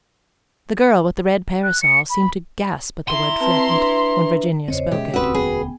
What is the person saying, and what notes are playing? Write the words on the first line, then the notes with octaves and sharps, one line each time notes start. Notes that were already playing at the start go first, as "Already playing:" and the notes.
The girl with the red parasol seemed to gasp at the word "friend," when Virginia spoke it.
F#6
C#7
B5
E4 A#5 C6
C4 B4 A5
D4 B4
E2 C#3 C4 C5 C#5 D#5
B2 G#3 C#4 G4 G#4 D#5 E5
E1 D2 C4 C#4 F#4 B4 D#6 E6
B3 G#4 G5